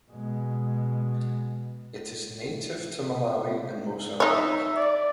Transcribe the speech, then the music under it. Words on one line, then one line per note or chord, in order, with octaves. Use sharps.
It is native to Malawi and Mozambique.
B2 G#3
D#4 C#5 E5
D5